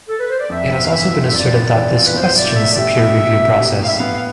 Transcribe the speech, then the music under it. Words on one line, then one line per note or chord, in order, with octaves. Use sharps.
It has also been asserted that this questions the peer review process.
A4
B4
C5
D5
F2 E5
B3
F5
E3 E5
F4
E5
F2 D5
B3
E3
F4 A4
B4
B2 C5
E4 D5
A3 E5
D5
G4 E5
B2
E4
A3
G4
A2 F5
E5
F5
B3
F5